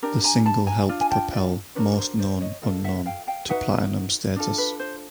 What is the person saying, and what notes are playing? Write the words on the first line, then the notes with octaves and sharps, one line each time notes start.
The single helped propel "Most Known Unknown" to platinum status.
D4 G4 A#4
G#5 A#5
A5 B5
G#5 A#5
D4 F4
G#5
G5 A5
D5 E5
D4 F#4 A#4 B4 C#5
C#5
C5
C5 D5
C#5 D#5
F4 A4 D#5 F5
E5 F#5
F5 G5
F5 G5
D#4 F#4 B4 E5 F#5
D4 F4 A4
B4
C5